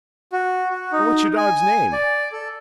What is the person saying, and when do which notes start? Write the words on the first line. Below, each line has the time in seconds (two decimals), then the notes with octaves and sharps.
"What's your dog's name?"
0.32 F#4
0.70 F#4
0.92 D#4
1.37 G#5
1.93 D5
2.32 A4